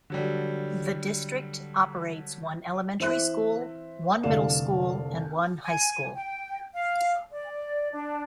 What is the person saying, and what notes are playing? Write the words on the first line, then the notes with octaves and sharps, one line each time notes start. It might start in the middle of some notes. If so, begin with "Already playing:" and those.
The district operates one elementary school, one middle school and one high school.
D3 F#3 G3
E3 C4 E5 F#6
F1 C2 D3 D5 F5 E7
G#5
G5
F5
D5
D4